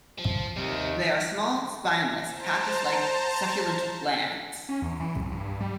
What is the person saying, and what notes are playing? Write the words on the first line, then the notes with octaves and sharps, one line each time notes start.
They are small, spineless, cactus-like succulent plants.
F3
D#2 C3 D#3 G3
C5 A5 A#5
C#4
E2
E3
C2
G2
G3